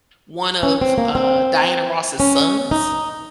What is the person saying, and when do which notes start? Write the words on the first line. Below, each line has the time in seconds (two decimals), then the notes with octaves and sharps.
one of, uh, Diana Ross's sons.
0.63 C#4
0.81 C4
0.98 A#3
1.15 C4
2.20 C#4
2.71 D#4